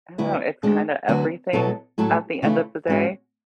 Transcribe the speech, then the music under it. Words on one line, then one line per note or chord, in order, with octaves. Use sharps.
I don't know, it's kinda everything at the end of the day.
D2 D3 F#3 B3 E4
D2 D3 G#3 D4
D2 D3 F#3 B3 F#4
B2 F#3 B3 E4 A4
A2 F#3 A3 E4 A4
C#3 E3 A3 E4
G#2 G#3 C#4 F#4